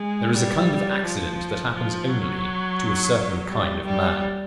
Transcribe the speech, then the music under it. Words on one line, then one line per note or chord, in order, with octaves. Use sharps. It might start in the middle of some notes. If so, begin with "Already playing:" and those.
There is a kind of accident that happens only to a certain kind of man.
Already playing: G#3
G3
F3
F3
F#3
G3
G3